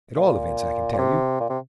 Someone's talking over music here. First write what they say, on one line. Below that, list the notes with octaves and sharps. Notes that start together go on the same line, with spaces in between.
At all events, I can tell you.
A#2
A#2
C3
A#2
C3